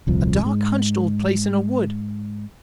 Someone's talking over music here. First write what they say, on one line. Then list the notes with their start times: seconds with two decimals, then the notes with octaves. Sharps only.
A dark hunched old place in a wood.
0.07 D#1 C2 F3
0.44 G#2 G#3